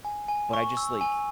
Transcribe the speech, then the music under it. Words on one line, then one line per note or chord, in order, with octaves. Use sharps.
But I just, like
G#5
G#5
C#6
E6
G#5